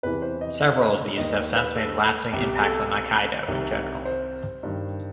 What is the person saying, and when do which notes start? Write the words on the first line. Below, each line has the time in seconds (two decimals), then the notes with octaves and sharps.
Several of these have since made lasting impacts on aikido in general.
0.03 E2 C3 E3 B4
0.22 C5
0.41 D#5
0.60 D#5
1.18 D#2 D#3 D#5
1.56 B4
1.75 A4
2.33 C2 B2 G4
2.62 A4
3.48 C2 C3 D#3
4.05 C5
4.63 G2 D#3